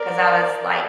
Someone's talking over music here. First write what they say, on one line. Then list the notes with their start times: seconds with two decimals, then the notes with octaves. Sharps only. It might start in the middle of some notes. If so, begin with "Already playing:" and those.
'cause I was, like,
Already playing: A#4 D5